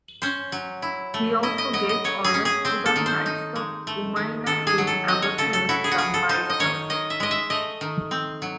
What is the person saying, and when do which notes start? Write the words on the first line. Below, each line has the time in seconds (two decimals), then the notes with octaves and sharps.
He also gave orders to the knights of Cumiana to evacuate the Maira valley.
0.22 C#4 C5
0.52 F#3
0.82 E4
1.14 A3
1.43 E4 D#5
1.58 D#5
1.73 F#3 D#5
1.89 D#5
2.04 F#3 C#5
2.24 G#4
2.34 C#4
2.45 G#4
2.65 C4 C5
2.86 A4
2.96 D#3
3.06 C5
3.26 D#4
3.56 G#3
3.87 A3
4.16 D#3
4.46 D#3 A4
4.67 G#4
4.78 F#3
4.87 A4
5.08 C4 D#5
5.22 C#5
5.38 C#3 A4
5.53 A4
5.69 E4 F#4
5.84 G#4
5.91 F#4
5.98 F#3 G#4
6.14 A4
6.29 D#4 C5
6.50 D#5
6.60 D#3 C#5
6.90 D#3 D#5
7.10 E5
7.20 G#3 D#5
7.31 E5
7.50 A3 D#5
7.81 D#3
8.11 C4
8.42 F#3